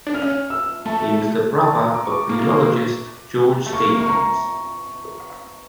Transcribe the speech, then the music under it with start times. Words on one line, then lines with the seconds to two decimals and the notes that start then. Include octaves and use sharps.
He was the brother of the philologist George Stephens.
0.07 D4
0.14 C#4 F6
0.50 E6
0.85 A3 A5
1.57 A5
1.76 A#5
1.94 D6
2.06 C#6
2.12 D6
2.29 A#3
3.66 A3
3.73 A#3 C#6
4.00 C#6
4.09 A#5